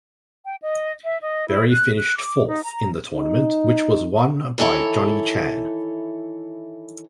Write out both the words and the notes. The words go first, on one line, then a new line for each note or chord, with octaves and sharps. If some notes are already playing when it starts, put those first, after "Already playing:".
Berry finished fourth in the tournament, which was won by Johnny Chan.
G5
D#5
E5
D#5
E4
F#6
F#6
D6
D#4
A#5
D#4
D#3 E3 E4 A4 C#5